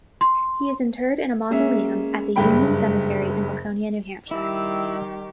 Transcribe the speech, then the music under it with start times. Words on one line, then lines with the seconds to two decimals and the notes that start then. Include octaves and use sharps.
He is interred in a mausoleum at the Union Cemetery in Laconia, New Hampshire.
0.21 C6
1.51 G#3 A#3 C#4 E5
2.36 F#1 G2 G#3 G5 B5
4.31 D#3 G3 E4 G4 E6